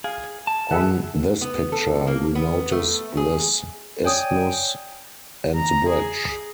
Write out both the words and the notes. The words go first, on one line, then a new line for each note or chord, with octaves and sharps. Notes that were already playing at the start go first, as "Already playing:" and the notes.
On this picture, we notice this isthmus and the bridge.
G#4 F5
A5
G#4 E5 F#5
B3
A4
A#3
B3
A3
G#4
C#5 D5 G5 G#5 D#6
A#5
G#4